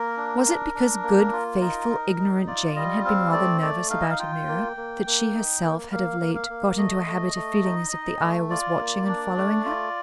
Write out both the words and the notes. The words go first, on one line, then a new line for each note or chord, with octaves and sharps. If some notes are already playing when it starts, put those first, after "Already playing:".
Was it because good, faithful, ignorant Jane had been rather nervous about Ameerah that she herself had of late got into a habit of feeling as if the Ayah was watching and following her.
Already playing: A#3 A#4
D4
D4
D4
A#3
F4
D#4 A#4
D#4
D#4
F4 D5
G3 D#5
C4 F5
A3 D5
A3 D5
D#4 F5
D#5
F5
F4 G5
A#3
A#3
A#3
D#4
A#3
A#3 F5
A#3
F5
A#3
A3 D#5
A3
A3
D#4
D#4
A3
F4 D5
A#3
D4
A3
F4